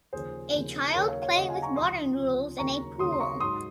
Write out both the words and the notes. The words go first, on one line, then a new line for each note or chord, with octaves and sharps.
A child playing with water noodles in a pool.
D#2 C#3 F3 G#4 C5
D#2 C#3 F3
D#2 C#3 F#3 A#4 C#5
C#5 F5
C#5 F5
D#2 C#3 F#3 D#5 F#5
F5 G#5
A#5 C#6
C#2 C3 F3 C6 D#6
C#2 C3 F3
D#2 C#3 F#3 A#5 C#6
D#2 C#3 F#3 C6 D#6
C6
A#5 C#6
G#2 F#3 C6 D#6